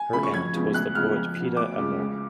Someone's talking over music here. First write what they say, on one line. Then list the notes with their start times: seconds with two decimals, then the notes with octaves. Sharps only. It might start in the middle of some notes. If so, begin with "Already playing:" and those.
Her aunt was the poet Pita Amor.
Already playing: G#5
0.13 C#3 F3 A3 B5
0.23 C#6
0.34 F2 G#6
0.54 C#3 F3 G#3 B3
0.74 D2 F#6
0.95 C#3 F3 G#3 B3 F6
1.16 F2
1.36 F3 B3
1.57 D2 D6
1.78 C#3 F3 G#3
1.98 C#2